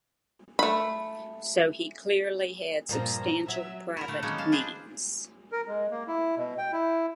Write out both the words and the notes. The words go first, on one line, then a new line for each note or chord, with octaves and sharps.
So he clearly had substantial private means.
A3 B5
G2 A#2 F3 A#5
F#3 E5
E4 A#4
A#2 D3 A3
D#3 F#3 G#3 A#3 B3 C#4
F5 A5
D4 G#4 B4 C5
A#4
G#3
A#3
E4
B2
G5
E4